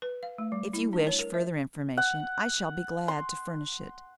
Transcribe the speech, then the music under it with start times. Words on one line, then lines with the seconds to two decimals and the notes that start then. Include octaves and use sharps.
If you wish further information, I shall be glad to furnish it.
0.02 B4
0.23 F5
0.38 A3
0.52 G3
0.73 E4
0.93 D4
1.07 C#5
1.19 A#4
1.34 E5
1.97 F#5
3.08 C6